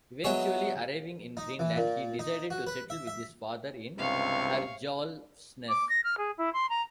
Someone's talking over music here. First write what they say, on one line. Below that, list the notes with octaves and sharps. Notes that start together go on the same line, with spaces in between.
Eventually arriving in Greenland, he decided to settle with his father in Herjolfsnes.
F#3 B3 E4 G#4 C#5 D#5
D#4
E3
A#2
D#4
F#4
B4
E5
E5
C#2 G2 C3 F5 C#6
D6
A#6
F6
G#4
E4
C6
A#5